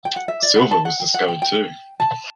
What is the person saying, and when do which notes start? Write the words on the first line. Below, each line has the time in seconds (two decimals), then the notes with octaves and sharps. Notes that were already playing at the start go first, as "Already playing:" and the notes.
Silver was discovered too.
0.05 G5
0.16 F#5
0.28 E5
0.43 D5
0.56 F#5
0.71 A5
0.85 F#5
1.00 G5
1.14 F#5
1.28 G5
1.42 G5
2.00 A5